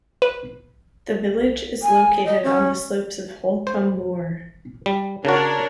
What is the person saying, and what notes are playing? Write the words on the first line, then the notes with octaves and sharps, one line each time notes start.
The village is located on the slopes of Holcombe Moor.
B4
G#5
D#5
C#4
C5
G3
C#3 D4 F#4 A#4 C#5